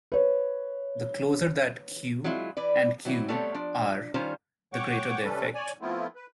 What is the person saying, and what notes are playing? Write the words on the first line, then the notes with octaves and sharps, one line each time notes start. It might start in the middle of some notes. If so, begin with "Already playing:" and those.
The closer that "q" and "q" are, the greater the effect.
B4 C#5
F#3 G#3 C4 E4 F4
E3 B4 D5
E3 F#3 C4 E4
G3 A3 B3 C4 A4 C#5
F3 D4
D#3 G3 C#4 F4 C5
C#5 F#5 G5 C#6 D6
C3 G3 C#4 A4 B4
C#5 D5 G#5
F3 A3 B3 C4 E4 F4
B4